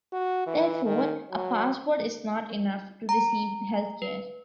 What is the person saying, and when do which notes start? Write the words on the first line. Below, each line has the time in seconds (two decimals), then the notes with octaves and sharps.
Therefore, a passport is not enough to receive health care.
0.13 F#4
0.47 E3
0.86 D#3
1.31 F#3
3.09 A#5
4.02 B4